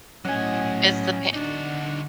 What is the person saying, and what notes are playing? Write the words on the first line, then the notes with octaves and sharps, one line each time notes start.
It's the pa
A2 F#3 C#4 D#5 F#5 G#5 D#6 A#6
D3 D4 D#4 F#4